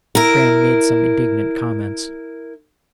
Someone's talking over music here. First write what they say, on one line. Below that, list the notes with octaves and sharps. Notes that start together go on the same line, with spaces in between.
Graham made some indignant comments.
E4 A#4